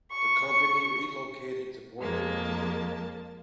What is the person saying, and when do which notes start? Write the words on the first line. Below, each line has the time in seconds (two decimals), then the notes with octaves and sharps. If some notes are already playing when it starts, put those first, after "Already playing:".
The company relocated to Portland, Maine.
0.12 C#6
1.99 F2 G#3 A#3 A5